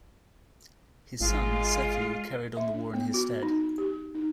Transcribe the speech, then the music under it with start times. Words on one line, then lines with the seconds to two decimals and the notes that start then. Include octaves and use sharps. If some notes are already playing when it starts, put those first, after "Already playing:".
His son, Sefu, carried on the war in his stead.
1.21 G#1 G#3 F4
2.57 E5
2.74 D4
2.94 B3
3.14 F#4
3.43 D#4
3.78 G4
4.15 D#4